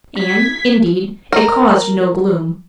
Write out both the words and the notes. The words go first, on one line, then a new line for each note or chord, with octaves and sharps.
And, indeed, it caused no gloom.
G#6 B6
A#4